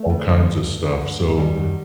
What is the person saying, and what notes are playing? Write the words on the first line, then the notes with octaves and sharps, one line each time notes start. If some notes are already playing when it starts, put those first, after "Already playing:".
all kinds of stuff, so,
Already playing: A3
D2
D3
G2
G2
D3
G2
G2
D#3 G3
F#2